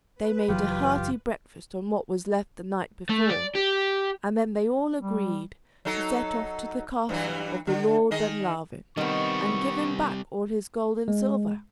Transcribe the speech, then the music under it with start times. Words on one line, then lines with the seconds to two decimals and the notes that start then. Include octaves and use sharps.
They made a hearty breakfast on what was left the night before, and then they all agreed to set off to the castle of the Lord of Dunlavin, and give him back all his gold and silver.
0.15 B4
0.49 F#1 F#2 E3 F#3 F4 G4
3.09 A3
3.29 D5
3.55 G4
5.02 G3
5.85 F#3 D#4 A4
7.09 G2 E3 F#3
7.67 D3
8.11 D#3 G#4 D#5
8.97 D#3 G3 B3 C4 C#6
11.08 G#3